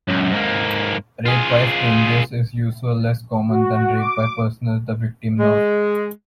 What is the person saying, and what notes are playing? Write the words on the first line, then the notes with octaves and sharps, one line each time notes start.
Rape by strangers is usually less common than rape by persons the victim knows.
C#2 F#2
G#2 A#3
F4 G#4
F#4
D6
G#3